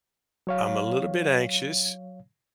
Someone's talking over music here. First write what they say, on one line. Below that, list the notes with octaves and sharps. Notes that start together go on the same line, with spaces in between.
I'm a little bit anxious.
F#3 C#5 F5